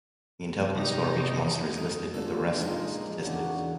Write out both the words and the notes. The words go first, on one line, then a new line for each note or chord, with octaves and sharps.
The Intelligence score of each monster is listed with the rest of its statistics.
C3 D#4 G4
D#4
D4 F4 A4
C#2 A#2 F3 G#3 D4 D#4 F4
E2 C#3 D4 F#4 A#4 F#5